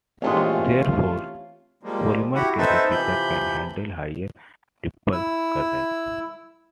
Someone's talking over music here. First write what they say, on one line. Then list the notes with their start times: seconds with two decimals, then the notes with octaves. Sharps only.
Therefore, polymer capacitors can handle higher ripple current.
0.22 A#1 E3 G#3 A3 C4 C#4 F4 G4
1.83 F3 G3 G#3 A#3
2.35 E4 F#4 G4 F#5
2.58 C4 D#4 A4 B4 C5 E5
2.91 C3 E3 F3 B5 G6
5.12 E4 E6